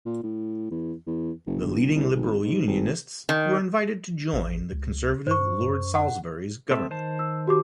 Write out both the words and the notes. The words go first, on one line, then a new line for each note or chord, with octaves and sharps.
The leading Liberal Unionists were invited to join the Conservative Lord Salisbury's government.
A#2
A2
E2
E2
F#1
G1
C2
G#1
G#2
G#1
D#3
A1
C#2
G2 C5 C#6
F#2
F#5
C4 A4 E5
D#3 C5 A5
E6
F#4 G4 D6